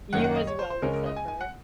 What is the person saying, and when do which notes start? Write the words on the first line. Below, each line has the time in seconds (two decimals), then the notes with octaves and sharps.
You as well will suffer.
0.13 F#2 D#3 A#3 F#5
0.24 F#5
0.36 D#5
0.47 C#5
0.59 C5
0.70 C5
0.82 C#2 C#3 G#3 C#4 A#4
0.93 A#4
1.06 D#5
1.16 G#5
1.28 G#5
1.41 F#5